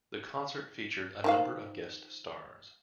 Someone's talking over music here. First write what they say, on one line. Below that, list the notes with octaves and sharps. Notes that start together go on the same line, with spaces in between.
The concert featured a number of guest stars.
D#3 F3 F5